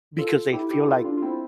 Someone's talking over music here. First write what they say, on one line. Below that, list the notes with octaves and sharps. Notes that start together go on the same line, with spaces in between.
because they feel like
F4 A4
E4 G4
E4 G4
F4 A4
D4 F4
F4
C4 E4